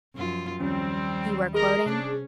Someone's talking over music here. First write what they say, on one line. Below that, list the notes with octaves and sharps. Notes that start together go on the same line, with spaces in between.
"You are quoting?"
F#2 F3 F4
D#2 F3 G3 C4 C#4
G#4 A#4 D#5 A#5
C3 C#4 D4 A#5